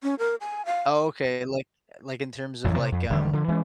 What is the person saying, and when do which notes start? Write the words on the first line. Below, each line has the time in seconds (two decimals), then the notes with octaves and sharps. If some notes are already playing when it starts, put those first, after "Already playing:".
Oh, okay, like eh, like, in terms of, like, um
0.03 C#4
0.19 A#4
0.41 G#5
0.65 F5
2.64 A1 F2 E3 F#3
2.78 C3
2.92 F2
3.10 E1 D3 D#3 G3
3.33 D3 F3
3.48 E3 G#3 C4 C#4